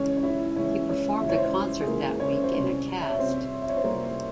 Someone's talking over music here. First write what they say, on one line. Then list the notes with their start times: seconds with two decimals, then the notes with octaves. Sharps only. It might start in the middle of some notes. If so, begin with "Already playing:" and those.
He performed a concert that week in a cast.
Already playing: C#3 E3 G#3 C#4 C#5
0.17 C#5
0.23 E4 E5
0.56 C#3 E3 G#3 C#4 C#5
0.89 C#4 C#5
1.21 C#3 E3 G#3 E5
1.29 C#5
1.37 C5
1.44 C#4 C#5
1.81 G#4
1.87 C#3 E3 G#3 A#3 A#4
2.20 C#4 C#5
2.44 C5
2.53 C3 G3 C#4 C#5
3.01 E5
3.10 C#5
3.18 C3 G3 C4 C5
3.62 E5
3.69 C#5
3.77 C5
3.84 C3 G3 A#3 A#4